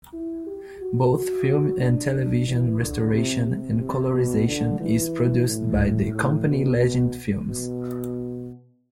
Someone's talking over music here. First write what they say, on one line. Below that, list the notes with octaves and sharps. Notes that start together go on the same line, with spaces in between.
Both film and television restoration and colorization is produced by the company Legend Films.
E4
G4
F#4
F#4
D4
E3
D3
C3
C3
C3
B2
D3
E3
A2
A2
B2
B2